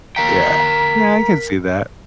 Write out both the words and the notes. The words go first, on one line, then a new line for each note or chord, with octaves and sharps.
Yeah. Yeah, I can see that.
A#4 F5 G5 A#5 B6